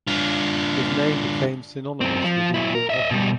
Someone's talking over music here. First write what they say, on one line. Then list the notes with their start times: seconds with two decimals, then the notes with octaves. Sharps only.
His name become synonymous with Indian hockey.
0.07 D3 F4
2.01 F#2 C4
2.24 F3
2.54 F#3 E4
2.75 A#4
2.90 D#5 E5
3.11 B2 G3